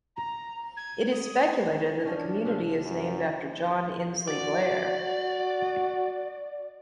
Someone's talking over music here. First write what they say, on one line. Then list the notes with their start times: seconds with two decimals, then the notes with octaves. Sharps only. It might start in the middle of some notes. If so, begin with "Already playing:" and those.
It is speculated that the community is named after John Insley Blair.
0.16 A#5
0.76 G#6
1.11 D#6
2.05 F3 C#4 D4
2.45 C3 F3 F4
2.84 F#2
4.28 F#4 D5